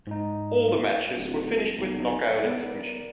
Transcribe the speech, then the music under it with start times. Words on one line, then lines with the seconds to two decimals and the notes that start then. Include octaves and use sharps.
All the matches were finished with knockout and submission.
0.07 G#2 D#4
1.16 D1
1.78 B1
2.44 B3 A#4 D5